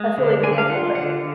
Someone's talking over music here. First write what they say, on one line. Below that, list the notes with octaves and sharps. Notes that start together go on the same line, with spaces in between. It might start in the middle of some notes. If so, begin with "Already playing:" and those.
a silly example, but
Already playing: G#3
D3
D4 G#5
F5
F4 F#5
D3 F#5